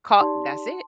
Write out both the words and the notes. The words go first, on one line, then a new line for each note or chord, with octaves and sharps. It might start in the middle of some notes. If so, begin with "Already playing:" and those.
Call That's it.
D#4 G4 D5 A5 C6